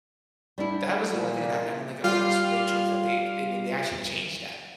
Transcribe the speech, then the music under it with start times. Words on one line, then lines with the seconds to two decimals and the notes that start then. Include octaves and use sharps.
That was the only thing that I didn't like about Ms. Rachel is that they and then they actually changed that
0.58 G3 D4 E4
1.15 A#2
2.04 G3 F4 F5